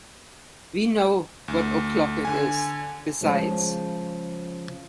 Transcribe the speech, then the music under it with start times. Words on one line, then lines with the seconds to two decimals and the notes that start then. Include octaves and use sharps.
We know what o'clock it is, besides.
1.48 D2
2.25 D3 G#5
3.21 C#3 F3 G#3